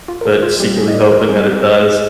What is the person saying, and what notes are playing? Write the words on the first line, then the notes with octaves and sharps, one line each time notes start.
but secretly hoping that it does.
F4
A#4
G#2 G#4
F4
G3 C4 G4
G#4
D#5
G#2 D5
C5
A#4
G3 C4 G#4
G4
G#2